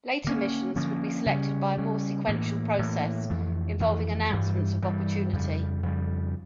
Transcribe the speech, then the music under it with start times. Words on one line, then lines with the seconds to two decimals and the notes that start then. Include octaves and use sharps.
Later missions would be selected by a more sequential process involving Announcements of Opportunity.
0.24 D3 F3 A#3 C#4
0.76 D3 F3 A#3 C#4
1.26 C#3 G3 C#4
1.78 C#3 G3 C#4
2.27 A2 E3 A#3
2.79 A2 E3 A#3
3.30 F2 E3 A3
3.80 F2 E3 A3
4.30 G2 E3 G3
4.82 G2 E3 G3
5.33 F2 C#3 G3
5.83 F2 C#3 G3